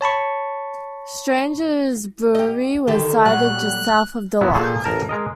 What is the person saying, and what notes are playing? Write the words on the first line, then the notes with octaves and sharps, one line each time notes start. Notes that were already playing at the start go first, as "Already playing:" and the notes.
Strange's Brewery was sited just south of the lock.
C#5 A5 B5 C#6
G4 D#5
D3 D#3 G4 A4
A#2 F#3 G3 A3 F#6
A#2 F#3 B3 E4
A#2 G#4 A4
A1 A#4 A5
G#3 A#4 D#5